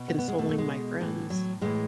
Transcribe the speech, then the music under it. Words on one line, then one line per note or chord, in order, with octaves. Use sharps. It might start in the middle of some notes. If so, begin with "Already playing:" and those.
consoling my friends?
Already playing: B2
B3
B3
G#3
B2 A3
A3
G#3
A2 E3
F#3
A2 E3 G#3